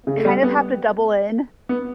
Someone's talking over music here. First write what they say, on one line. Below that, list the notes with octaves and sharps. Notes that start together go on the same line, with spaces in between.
kind of have to double in
C#3
A3
G3
B3
B3